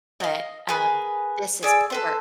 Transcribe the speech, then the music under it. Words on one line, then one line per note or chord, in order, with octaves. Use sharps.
but, um, this is por
D#5 F5
G#4 A#4 B4
G#4 D5 E6
A4 B4 C5